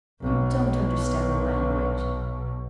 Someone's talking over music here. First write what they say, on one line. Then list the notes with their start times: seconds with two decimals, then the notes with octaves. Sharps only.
You don't understand the language.
0.20 B1 B2